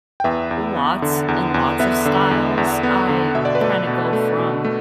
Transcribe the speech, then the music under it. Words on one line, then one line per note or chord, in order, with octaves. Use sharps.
lots and lots of styles. I kinda go from,
G5
E2 B4 E5
E2
B3
D3
E2
E2
B3 B4 E5
D3
E2
E2
B3
D3
B2 E5
D5
B4
A3 A4 D5
B2
A3
B2
A3